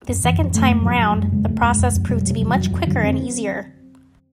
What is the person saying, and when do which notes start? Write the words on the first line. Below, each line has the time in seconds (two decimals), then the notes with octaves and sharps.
The second time round, the process proved to be much quicker and easier.
0.08 F#2
0.24 F#2 E3
0.39 F#2 F3
0.54 F#2 A3
0.71 F#2
0.82 F#3
0.85 F#2 F3
1.01 F#2 F#3
1.09 A3
1.16 F#2 G#3
1.32 C#3 G#3
1.48 F2 A3
1.63 F2 G#3
1.79 F2
1.95 F2
2.09 C3 G3
2.25 C3 F#3
2.41 F2 G3
2.50 F3
2.55 F2 F#3
2.72 F2 F3
2.87 D3 F#3
3.03 C4